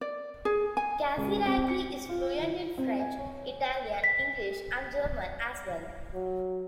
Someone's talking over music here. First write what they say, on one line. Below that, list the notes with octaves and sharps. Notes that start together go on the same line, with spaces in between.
Casiraghi is fluent in French, Italian, English and German as well.
D5
G#4
G#5
C#2
C4
C#7
F4
C4
G#5
C#5
B6
F#3